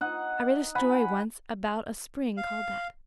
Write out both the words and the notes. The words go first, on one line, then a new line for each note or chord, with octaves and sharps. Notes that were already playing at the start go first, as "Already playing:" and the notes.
I read a story once about a spring called that.
D#4 F#5
F#5 G#5 B5
F5